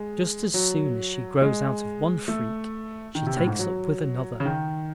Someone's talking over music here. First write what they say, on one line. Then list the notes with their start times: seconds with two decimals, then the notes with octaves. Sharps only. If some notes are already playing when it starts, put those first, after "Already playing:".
Just as soon as she grows out of one freak she takes up with another.
Already playing: G#3
0.54 F#3
1.42 G#3
2.28 A3
3.15 D#3
3.27 C3
3.36 A2
3.47 G#2
3.59 F#3
4.40 C#3
4.45 D#3